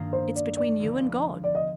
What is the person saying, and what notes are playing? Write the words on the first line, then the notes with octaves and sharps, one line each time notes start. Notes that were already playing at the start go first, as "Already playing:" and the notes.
It's between you and God.
Already playing: G2 D#3 A#3 F4
C5
D5
D5
F1 D#2 D3 F3
D5
D#5